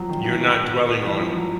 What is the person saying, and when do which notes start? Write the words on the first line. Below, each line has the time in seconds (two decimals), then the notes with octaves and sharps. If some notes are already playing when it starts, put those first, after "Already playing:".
you're not dwelling on
Already playing: F3 F#3
0.09 D#3
0.24 E3
0.40 D#3
1.05 E3
1.20 F3
1.36 F#3